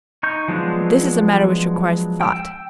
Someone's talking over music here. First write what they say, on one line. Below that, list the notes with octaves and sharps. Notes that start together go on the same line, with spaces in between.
This is a matter which requires thought.
D#4 C#6 G6
F3 F#3 G#3 B3 D4
G5 E6